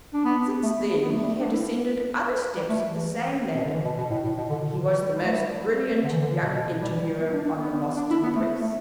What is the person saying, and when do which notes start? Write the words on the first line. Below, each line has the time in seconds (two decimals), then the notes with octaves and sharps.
Since then he had ascended other steps of the same ladder; he was the most brilliant young interviewer on the Boston press.
0.13 D4
0.24 B3
0.63 A3
0.76 B3
0.86 A3
0.89 B3
1.02 B3
1.11 A3
1.20 G3
1.29 A3
1.40 D4
1.54 E4
2.56 G3
2.69 A3
2.83 E3
3.55 B2
3.63 D3
3.73 E3
3.85 B2
3.98 B2
4.10 A2
4.24 A2
4.37 B2
4.50 D3
4.69 D3
4.88 E3
5.02 G3
5.14 G3
5.25 A3
5.36 G3
6.03 D3
6.11 E3
6.19 D3
6.42 B2
6.55 B2
6.81 G3
6.91 E3
7.00 G3
7.20 B3
7.33 D4
7.45 D4
7.58 B3
7.96 D4
8.10 E4
8.23 B3
8.35 A3
8.61 A3